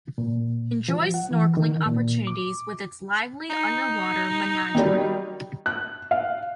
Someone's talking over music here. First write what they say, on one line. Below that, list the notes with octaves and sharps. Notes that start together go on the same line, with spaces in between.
Enjoy snorkeling opportunities with its lively underwater menagerie.
A#2
F3
F#5
E3
D#3
A#2
D6
D#4
D#3 F#3 G3
F#6
F5